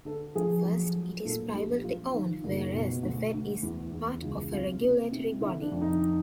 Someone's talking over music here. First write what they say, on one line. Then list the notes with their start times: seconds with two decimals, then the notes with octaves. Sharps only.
First, it is privately owned, whereas the Fed is part of a regulatory body.
0.05 D3 A4
0.35 F3 G#4
0.65 F#3
0.95 F#3
1.25 A#2 A4
1.54 A#1 G4
1.84 F#3 F4
2.14 D#3
2.44 F#1
2.73 B2
3.03 D2
3.33 D2
3.63 E2
3.92 E2
4.22 C#2 F4
4.51 C3 F4
4.81 C3
5.12 C3
5.41 D3 E4
5.61 D4
5.72 F2
5.81 D#4